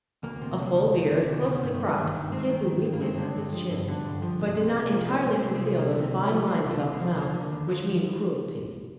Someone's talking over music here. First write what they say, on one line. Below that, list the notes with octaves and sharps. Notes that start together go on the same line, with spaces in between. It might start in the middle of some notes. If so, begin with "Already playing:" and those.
A full beard, closely cropped, hid the weakness of his chin, but did not entirely conceal those fine lines about the mouth which mean cruelty.
D2 A#3
C3
D2
D#3
D2
C3
D2
D#3
G2
D#3
D#3
G2
G2 G#3 C4
D#3
D#3
G2
A#3
G2 G#3 C4
D3
G2
F3
G2
D3
G2
F3
C2
C3
C2
F3
C2 A#3 D4
C3
G#3 C4
C2
G#3 C4
F3
C2 A#3
C3
C2
F3
C2 A#3
C3
D4 F4
C2
G#3
F3
D#2 A#3
D3
D#2
F3